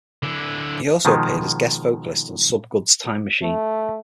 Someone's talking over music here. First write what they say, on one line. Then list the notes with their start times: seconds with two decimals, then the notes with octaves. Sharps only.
He also appeared as guest vocalist on SubGud's Time Machine.
0.23 D3 E4
1.05 B2 D#3 F3 G#3
3.42 A3